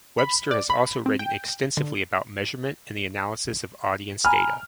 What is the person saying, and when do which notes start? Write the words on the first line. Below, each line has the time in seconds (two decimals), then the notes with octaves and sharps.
Webster has also written extensively about measurement and the analysis of audience data.
0.19 B5
0.51 D5
0.70 B5
1.06 C4
1.19 G5
1.77 D3
4.25 G#5 A#5 B5 F6